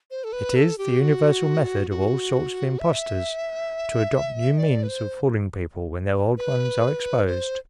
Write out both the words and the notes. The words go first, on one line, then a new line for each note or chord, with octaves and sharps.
It is the universal method of all sorts of impostors to adopt new means of fooling people when their old ones are exposed.
C5
A4
B4
A4
G4
F#4
F#4
E5
D5
B4
C5
B4
C5